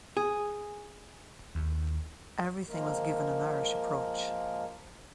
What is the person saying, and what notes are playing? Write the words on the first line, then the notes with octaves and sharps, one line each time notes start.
Everything was given an Irish approach.
G#4
D#2
F3 G#3 A#3 A#4